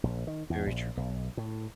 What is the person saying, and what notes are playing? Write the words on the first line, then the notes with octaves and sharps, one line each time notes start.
Very true.
A#1
D#3
E2
A#1
B1
A2